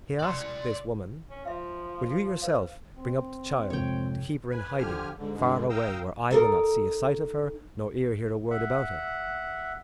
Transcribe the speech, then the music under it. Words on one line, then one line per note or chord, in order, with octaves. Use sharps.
He asked this woman, "Will you yourself bring up the child to keep her in hiding far away where eye will not see a sight of her nor ear hear a word about her?"
D5 C6
C#4
F3 E5 F5
B4 C5 F5
C4
F2 G#2 C3 C#5 G5
B4 G#5
D3 F3 G4 G#5 F6
G#2 D3
G2 B2 D3 G#3
F5 G5 A#5 D#6 E6
D#4 A4 A#4
E5 F#5